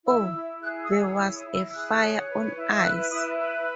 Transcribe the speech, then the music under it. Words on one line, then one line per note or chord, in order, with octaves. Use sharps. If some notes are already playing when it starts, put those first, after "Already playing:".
Oh, there was a fire on ice.
E4 E6
E4
G#4 F#6
D#6
C#5 E6
E6
E4 E6
D#6
E4
E6
G#4 F#6
C#5
B4
E4
E6
B4 F#6
E4 D#6
B4